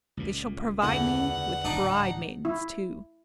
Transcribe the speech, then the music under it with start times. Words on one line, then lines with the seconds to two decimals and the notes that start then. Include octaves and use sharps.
They shall provide me with bride-maidens too.
0.17 C#2 A#2
0.82 E2 D3 F#5
1.64 D1 A#2 D4 D#4
2.45 E4